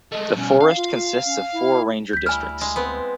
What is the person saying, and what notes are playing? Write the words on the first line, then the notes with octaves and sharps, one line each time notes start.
The forest consists of four ranger districts.
G#3 A3 D#5
B2 G3 C#4
F5
F4
C#4
E4
D2 G6 B6
G3 E4 G#5 F6
G#3
B3 C4